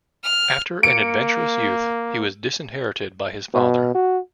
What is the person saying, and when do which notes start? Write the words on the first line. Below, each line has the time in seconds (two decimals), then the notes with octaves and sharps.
After an adventurous youth, he was disinherited by his father.
0.23 F6
0.83 A#3 C#7 D7
3.54 B2
3.94 F#4